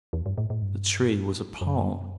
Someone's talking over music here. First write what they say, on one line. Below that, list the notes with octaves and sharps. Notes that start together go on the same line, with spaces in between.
The tree was a palm.
E2
G2
A2
A2
G2
F#2